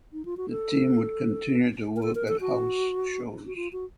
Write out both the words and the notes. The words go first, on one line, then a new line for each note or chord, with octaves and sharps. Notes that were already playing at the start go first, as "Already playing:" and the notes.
The team would continue to work at house shows.
D#4
F4
F#4
A4
A#4
A4
A#4
A4
F#4
F#4
F4
F#4